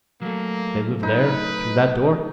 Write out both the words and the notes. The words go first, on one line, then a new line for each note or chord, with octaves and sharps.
"They live there, through that door?"
F#3 A3 A#3
D#4 B4